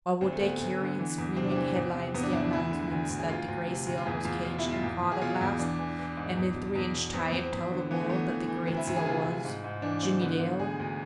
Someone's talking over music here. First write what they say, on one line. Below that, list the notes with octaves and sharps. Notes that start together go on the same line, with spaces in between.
Or would they carry in screaming headlines the announcement that the Gray Seal was caged and caught at last, and in three-inch type tell the world that the Gray Seal was--Jimmie Dale!
D2 C4
A3
D2 B3
D2
D3
E3
E2
C3 C4
D4
E3 C4
E2
C3
E2 B3
D4
E2 E4
D4
D2 E4
D3
D2
D2
G#4
D2 F4
D2
C3
D2
F4
E2 G#4
E2 F4
B2 F4
E4
B2
F4
E2
E2
G#4
B2 F4
E2
E3 D4
E3
E3
G#2
E2
B2
E2
B2
E2 C4
E2 C4
E2
D3
E3 B3
A3
E3 B3
E3
E3
D2 C4
E4
D2
G#4
C3 F4
D2
G#2
G#2
E3 D4
G#2 C4
D3 B3
D3
D2 G#4
D2